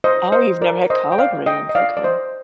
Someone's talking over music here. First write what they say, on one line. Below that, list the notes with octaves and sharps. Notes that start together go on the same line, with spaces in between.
Oh, you've never had collard greens. Okay.
C5 D#5
C5 D#5
A#4 D5
C5 D#5
G5
D5 F5
D#5 G5
D#5
D5 F5
D5
C5 D#5